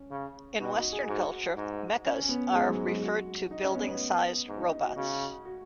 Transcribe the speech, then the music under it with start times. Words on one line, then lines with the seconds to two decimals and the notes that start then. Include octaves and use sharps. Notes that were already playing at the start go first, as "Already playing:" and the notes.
In Western culture, mechas are referred to building sized robots.
Already playing: C#4
0.11 C#3
0.60 B2 D#4
0.76 F#4
0.92 G#4
1.08 G#2 F#4
1.57 G#2
2.05 C#4
2.21 C#4
2.29 B3
2.53 G#2 G#3
2.70 F#3
2.87 G#3
3.02 F#4
3.51 D#4
3.63 C#4
3.75 B3
3.87 B3
4.48 G#2
4.60 D#4
4.72 D#4
4.84 F#4
4.96 C#3 F#4
5.45 F#4